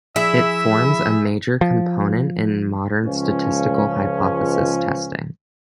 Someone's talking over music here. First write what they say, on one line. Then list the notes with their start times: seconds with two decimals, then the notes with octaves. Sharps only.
It forms a major component in modern statistical hypothesis testing.
0.16 F3 E4 G#4 E5
1.61 F3
3.04 C#2 F3 C#4